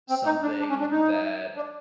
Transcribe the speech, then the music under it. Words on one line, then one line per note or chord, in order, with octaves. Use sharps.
something that
C4
D#4
D4
D4
C#4
D4
D#4
D4